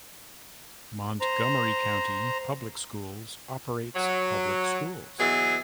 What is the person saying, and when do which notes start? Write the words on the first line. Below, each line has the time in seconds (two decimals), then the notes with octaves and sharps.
Montgomery County Public Schools operates public schools.
1.20 C5 A#5
3.95 F#3
5.18 B2 E3 F#3 G#4